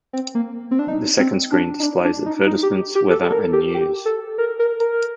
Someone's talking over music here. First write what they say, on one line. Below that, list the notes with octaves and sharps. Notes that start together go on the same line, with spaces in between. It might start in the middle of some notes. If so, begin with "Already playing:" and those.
The second screen displays advertisements, weather, and news.
C4
A#3
C4
D4
D#4
C4
D4
D#4
D4
D4
D#4
D#4
G4
G4
A4
A4
A#4
G4
G4
A4
A#4
A#4
A#4